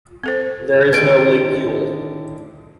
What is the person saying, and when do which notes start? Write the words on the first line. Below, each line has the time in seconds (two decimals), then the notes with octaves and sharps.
There is no ligule.
0.24 C4 A4 C5
0.93 A2 D3 D#3 C4 G4 B4 A6 D7